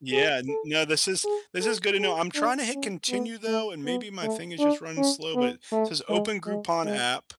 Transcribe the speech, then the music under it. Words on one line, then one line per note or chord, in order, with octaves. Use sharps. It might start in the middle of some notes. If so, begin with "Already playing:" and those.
Yeah. No, this is this is good to know. I'm trying to hit continue, though, and maybe my thing is just running slow, but it says, "Open Groupon app,"
G#4
A4
G#4
A4
G#4
D4
C#4
B3
A3
B3
A3
D4
C#4
B3
A3
G#3
G#3
G#3